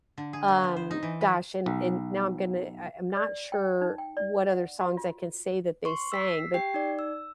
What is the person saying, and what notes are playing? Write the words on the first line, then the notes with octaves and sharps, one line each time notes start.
um, gosh, and and now I'm gonna I I'm not sure what other songs I can say that they sang, but
D3
G#4
A#3
B3
C5
D#4
E3
B4
B1
D5
G5
D#4
G5
D5
F#5
F#4
F4
C6 C#6
E6 B6 C7
G4 G5 C7
D#4 D5
E6